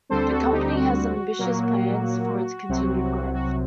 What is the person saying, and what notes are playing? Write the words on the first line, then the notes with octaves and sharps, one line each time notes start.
The company has ambitious plans for its continued growth.
D2 D3 G3 C4 A4 C5
F#4 A4
D#4 G4
F#4
A#2 F#3 A#3
C2 C3 F#3 C4
F#4